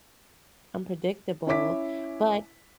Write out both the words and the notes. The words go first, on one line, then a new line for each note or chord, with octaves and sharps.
unpredictable, but
C#4 E4 C#5 E5 D6 B6